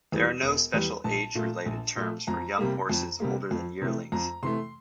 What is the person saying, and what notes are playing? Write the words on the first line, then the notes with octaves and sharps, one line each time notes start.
There are no special age-related terms for young horses older than yearlings.
E2 E3 G3
E1
E2 E3 G3
A#1 A5
A#2 A3
A#1
A#2 A3
F2 A#5
C3 G3 A#3
F2
C3 G3 A#3
F2
C3 E3 A3
F2 A#5
C3 E3 A3 C6